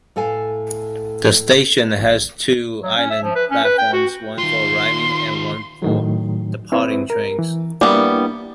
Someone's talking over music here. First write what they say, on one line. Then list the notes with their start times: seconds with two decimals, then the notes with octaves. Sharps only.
The station has two island platforms, one for arriving and one for departing trains.
0.16 A2 A4 F5 G#5
2.83 F#3
2.97 C#4
3.10 E5
3.23 F3
3.35 B4
3.51 C#4
3.64 B4
3.78 G5
3.93 F#4
4.38 D#3 F4 C6
5.82 A2 D#3 F#3
6.72 C4 E4 B4
7.10 A#4
7.39 E3
7.81 G3 A#3 B3 D4 E4